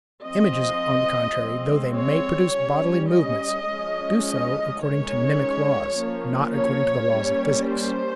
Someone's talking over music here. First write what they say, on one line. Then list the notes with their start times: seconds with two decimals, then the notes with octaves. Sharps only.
Images, on the contrary, though they MAY produce bodily movements, do so according to mnemic laws, not according to the laws of physics.
0.23 F3 C4 D#5
1.38 F3 G#3 C4
1.95 C#5
2.53 G3 C#4
3.10 D#5
3.68 F3 G#3 C#4
4.25 D#5
4.82 D#3 G#3 C#4 C#5
5.97 F3 A#3 C#4
6.55 C#5
7.12 G3 A#3 C#4
7.69 C5